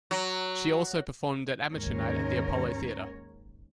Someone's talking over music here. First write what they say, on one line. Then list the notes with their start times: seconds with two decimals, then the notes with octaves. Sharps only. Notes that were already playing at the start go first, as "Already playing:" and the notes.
She also performed at amateur night at the Apollo Theater.
0.11 F#3
1.73 D#2 G#2 C#4 A#4 C#5